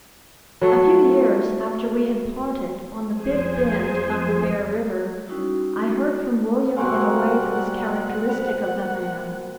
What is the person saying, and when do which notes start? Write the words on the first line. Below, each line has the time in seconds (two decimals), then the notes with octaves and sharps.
A few years after we had parted on the big bend of the Bear River, I heard from William in a way that was characteristic of the man.
0.61 F#3 A3
3.12 F2 G#4 C5 G#5
5.28 G3 C#4 D#4 E4 F#4
6.77 B2 G3 A#3 C4 F#5 G#5 C#6 F#6
8.29 C5 B5